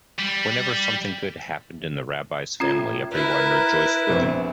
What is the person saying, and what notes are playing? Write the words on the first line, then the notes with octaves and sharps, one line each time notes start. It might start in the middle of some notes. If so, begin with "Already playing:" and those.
Whenever something good happened in the rabbi's family everyone rejoiced with him.
G3
A2 C#4 F4 G#6
E4 A#4 B4
A#5
A#1 B3 C4